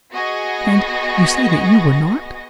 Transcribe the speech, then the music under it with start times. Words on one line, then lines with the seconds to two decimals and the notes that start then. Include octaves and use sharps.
"And--you say that you were not?"
0.12 B3 F#4 G#4 D#5 C#6 A#6